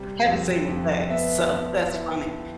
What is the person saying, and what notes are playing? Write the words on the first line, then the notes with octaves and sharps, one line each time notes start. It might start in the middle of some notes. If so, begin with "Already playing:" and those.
had the same effect. So, that's funny.
Already playing: C3 G3
F2
F2
B3 E5
B3
E4